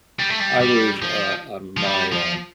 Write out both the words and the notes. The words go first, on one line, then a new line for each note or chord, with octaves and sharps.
I was, uh, uh, my uh,
G3
A3
G3
G3
F3
F3
G3
F3